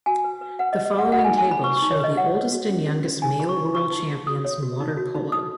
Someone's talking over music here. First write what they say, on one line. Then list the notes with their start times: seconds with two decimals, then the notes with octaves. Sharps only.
The following tables show the oldest and youngest male world champions in water polo.
0.06 F#4 G#5
0.24 B4
0.41 B4
0.59 B4 F#5
0.73 B4 D#5
0.86 D#5
0.95 B4 F#5
1.12 F#4 F#5
1.19 B5
1.24 D#4 G#5
1.38 G#5
1.47 D#4 B5
1.64 B4 C#6
1.77 C#6
1.82 D#4
1.91 C#5
2.00 B4 D#5
2.17 C#5 F#5
2.35 C#5
2.52 F#4
2.69 C#4
2.87 C#4
3.05 C#4
3.22 D#4 G#5
3.40 G#4 B5
3.49 C#6
3.57 D#4
3.74 D#4 C#6
3.92 D#4
4.10 G#4
4.27 F#4 D#6
4.45 C#5
4.63 F#4
4.80 D#4
4.97 F#4
5.15 D#4
5.32 D#4 D#6